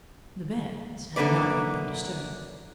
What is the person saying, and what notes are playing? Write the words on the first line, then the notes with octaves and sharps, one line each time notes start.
The bed had not yet been disturbed.
F#2 D3 D#3 A#3 B4 D5